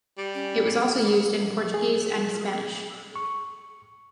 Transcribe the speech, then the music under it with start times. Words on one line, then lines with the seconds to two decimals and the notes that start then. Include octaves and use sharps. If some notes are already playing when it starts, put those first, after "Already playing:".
It was also used in Portuguese, and Spanish.
0.18 G3
0.35 C#4
1.74 G#4
3.16 C#6